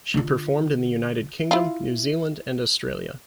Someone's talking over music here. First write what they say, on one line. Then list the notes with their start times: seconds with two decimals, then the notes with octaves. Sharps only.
She performed in the United Kingdom, New Zealand and Australia.
0.14 D3 F4
1.51 E4 F4